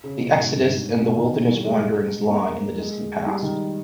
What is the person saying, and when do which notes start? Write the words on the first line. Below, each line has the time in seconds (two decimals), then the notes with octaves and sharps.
The Exodus and the wilderness wanderings lie in the distant past.
0.04 C#3
0.20 B2
0.36 G#2
0.52 G2
0.68 G#2
1.00 B2
1.17 D#3
1.33 E3
1.49 G3
1.65 G#3
1.81 G#3
2.30 A#3
2.78 G#3
3.26 G3
3.42 D#3